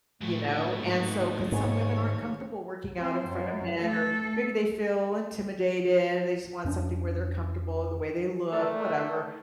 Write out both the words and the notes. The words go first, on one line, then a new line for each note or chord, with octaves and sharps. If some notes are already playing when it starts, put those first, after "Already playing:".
you know? And so 'cause some women aren't comfortable working out in front of men or maybe they feel intimidated, they just want something where they're comfortable, the way they look, whatever.
D#2 A2 A3
G#2 B3 D#4
G#2 C#5
C4 C5
F#2
A3 A4
F2 C#4 D4
A3 A4 A#4 D5